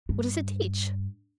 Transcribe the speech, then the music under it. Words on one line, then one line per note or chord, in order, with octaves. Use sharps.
What does it teach?
G2